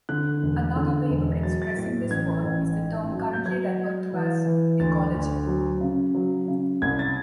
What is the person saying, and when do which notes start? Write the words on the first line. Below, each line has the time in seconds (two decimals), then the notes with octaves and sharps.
Another way of expressing this word is the term currently referred to as "ecology".
0.09 D3 F#6
0.43 E1
0.76 D3
1.10 E1
1.43 F#3 A6
1.62 A6
1.77 A2
2.11 A1 G#6
2.44 A1
2.78 G#2
3.12 F#3
3.33 G6
3.46 F#3 G#6
3.79 F#3
4.13 E3
4.46 E3
4.80 D2 A6
5.14 D2
5.47 F#3
5.81 C#3
6.15 F#3
6.48 C#3
6.82 C2 G#6
6.99 A6